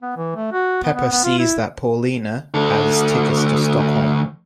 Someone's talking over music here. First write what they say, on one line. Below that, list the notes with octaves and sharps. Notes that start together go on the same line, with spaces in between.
Pepa sees that Paulina has tickets to Stockholm.
B3
E3
A3
F#4
B3
B3
B3
F4
E4
D2 A4